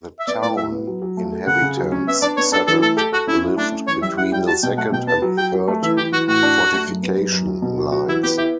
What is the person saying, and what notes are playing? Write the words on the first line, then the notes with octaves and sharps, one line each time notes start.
The town inhabitants settled lived between the second and third fortification lines.
E5
B3 D5
A2 D5
A2 E5
B3
F#3
F#3
A3
A4
C#3 F#5
C#3
F#3
C#4
B3 E5
D4 D5
B3 C#5
D4 A4
E3 A4
A3 A4
G4 A4
F#4 A4
C#4 E4
E4
A3 D4
C#4
E3 C#5
G3 E5
E4 F#5
G3 G5
F#4 A5
B2 G5
A3 F#5
B2 G5
B3 A5
F#3
F#3 G5
F#3
A3
E3 E5
E3 G4
E3 F#4
A2 F#4
D4
D4
A3
F#2
B3
F#2
F#2
F#3
B2
F#3
F#4
E3 E4
B3 G4
E4 G4